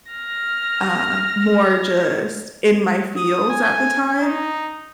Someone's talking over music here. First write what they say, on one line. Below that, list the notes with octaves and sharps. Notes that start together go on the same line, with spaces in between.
uh, more just in my feels at the time,
F6 A#6
D#6
G#5
D#4